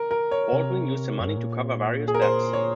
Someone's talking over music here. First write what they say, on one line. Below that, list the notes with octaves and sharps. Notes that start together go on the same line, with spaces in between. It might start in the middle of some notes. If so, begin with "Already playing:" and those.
Baldwin used the money to cover various debts.
Already playing: A#4
A#4
C#5
C3
F#2
G#2
A#2
G#4
A#4
C5
C#5